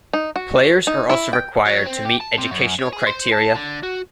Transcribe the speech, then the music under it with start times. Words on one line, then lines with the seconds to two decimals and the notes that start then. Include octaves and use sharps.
Players are also required to meet educational criteria.
0.13 D#4
0.36 F#4
0.87 D#4
1.10 E4
1.33 G5
1.65 F#3
1.86 C4
2.05 G4
2.20 A5
2.37 C3
2.51 F#2
2.79 C#5
2.93 G#4
3.07 C5
3.32 A5
3.55 D3
3.83 F#4